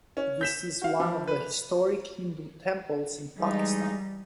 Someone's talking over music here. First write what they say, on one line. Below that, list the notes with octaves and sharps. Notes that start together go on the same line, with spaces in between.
This is one of the historic Hindu temples in Pakistan.
C#4
G6 B6 E7
F#4 F5
F3
B4
E3 G3 G#3 D#4